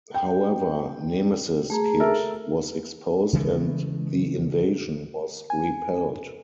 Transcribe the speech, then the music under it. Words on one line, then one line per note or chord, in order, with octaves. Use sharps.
However, Nemesis Kid was exposed and the invasion was repelled.
G5
A3 G#4 A#5
A4 A#4 E5
C#3 E3 G#3 A3
G#5